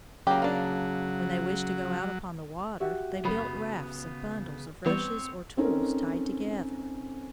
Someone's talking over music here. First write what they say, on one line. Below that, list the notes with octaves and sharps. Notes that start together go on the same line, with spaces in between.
When they wished to go out upon the water they built rafts of bundles of rushes or tules tied together.
C#3 F#3 A#3 G4
A#3 D4
F#4 G4 E5
F#2 C#3 F#3 B3 B5
E3 G3 B3 C4 C#5
C4 C#4 D#4 A4 A#4